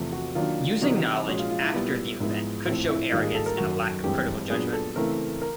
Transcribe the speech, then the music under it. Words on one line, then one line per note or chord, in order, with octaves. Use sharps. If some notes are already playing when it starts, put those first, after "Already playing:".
Using knowledge after the event could show arrogance and a lack of critical judgement.
Already playing: E2 C3 F3 A3
F#4
D#3 F#3 A#3 D4 F4
C3 E3 G3 C4 D#4 F#4
A#2 F3 G#3 C#4 F#4
F4
F4
E4
A#2 G3 B3
G#2 F3 G#3 B3 E4
A2 F3 A3 C4 E4
E4
G#2 D#3 G3 A#3 D#4 F4
G#4
A4
A#4
F#2 D#3 F#3 F#4
G2 E3 G#3 C4 G4
A#2 F#3 B3 D4 G#4
A4
C#3 E3 A3 C4 E4 A#4
A#4